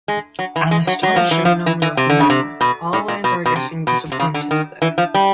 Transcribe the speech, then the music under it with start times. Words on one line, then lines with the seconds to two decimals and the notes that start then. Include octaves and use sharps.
An astonishing number of men always are getting disappointed there.
0.08 G#3
0.39 F#3
0.56 E3
0.71 G#3
0.87 F#3
1.03 F#3
1.16 F3
1.31 E3
1.45 F3
1.66 E3
1.82 E3
1.97 C3
2.10 D3
2.20 C#3
2.30 C3
2.61 B2
2.93 A2
3.08 A#2
3.24 B2
3.46 B2
3.56 C3
3.87 B2
4.12 C3
4.20 C#3
4.34 D3
4.51 D#3
4.82 E3
4.98 F3
5.14 G3